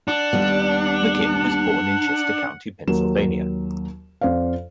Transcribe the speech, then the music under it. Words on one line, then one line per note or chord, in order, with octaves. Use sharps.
McKim was born in Chester County, Pennsylvania.
D4 F#5
D#2 G3 B3
D#2 F#3 A#4 E7
F2 C5 D5 F5